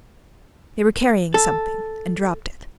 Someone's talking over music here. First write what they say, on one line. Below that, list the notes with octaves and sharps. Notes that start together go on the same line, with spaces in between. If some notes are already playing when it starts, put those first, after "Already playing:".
They were carrying something, and dropped it.
A4